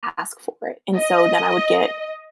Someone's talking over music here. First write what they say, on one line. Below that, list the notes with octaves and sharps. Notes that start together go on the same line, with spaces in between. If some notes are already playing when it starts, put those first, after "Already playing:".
ask for it, and so then I would get
D#5